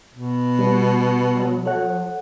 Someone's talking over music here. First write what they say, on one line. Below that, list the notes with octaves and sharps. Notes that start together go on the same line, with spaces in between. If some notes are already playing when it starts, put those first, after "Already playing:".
Oh, no.
B2
G3 B3 B4
A4 C#5 F#5